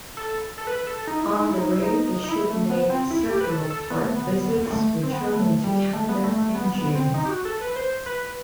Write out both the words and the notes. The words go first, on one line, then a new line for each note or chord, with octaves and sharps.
On the way the ship made several port visits, returning to Canada in June.
A4
A4
B4
A4
D#4
E4
D#4
E4
D#4
E4
D#4
D#4
E4
A3
B3
C4
E4
G4
B4
A4
A4
B3
A3
B3
A3
C4
B3
B3
A3
G3
A3
B3
A3
A3
B3
B3
C4
D#4
G4
F#4
A4
B4
C5
B4